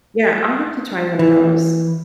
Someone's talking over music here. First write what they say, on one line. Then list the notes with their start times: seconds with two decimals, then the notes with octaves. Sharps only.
yeah, I'll have to try one of those.
1.19 E3